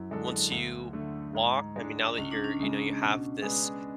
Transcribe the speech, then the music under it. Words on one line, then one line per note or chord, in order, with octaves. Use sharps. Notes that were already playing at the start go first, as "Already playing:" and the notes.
once you walk? I mean, now that you're you know, you have this
Already playing: F#2 E4
D3 G#3 D4 A4
D2
D3 A3
G#2
G#3 D4
C#2 C#4
D4
C#4
C#3 G#3
B2
G#3 D4 G#4 B4